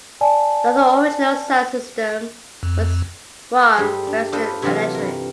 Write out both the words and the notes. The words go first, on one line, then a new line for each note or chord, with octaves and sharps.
The other original sound system was from Western Electric.
D5 G#5 A5
F2
G2 G3 G#4 A4 C5
D4
D4 F4 A4 B4 C5 D#5
C3 E3 F#3 D4 F4
G2 A#4